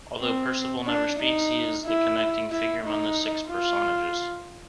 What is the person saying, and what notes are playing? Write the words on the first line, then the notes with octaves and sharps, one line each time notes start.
Although Percival never speaks, he is the connecting figure among the six personages.
C4
D4
D#4
E4
E4
D#4
F4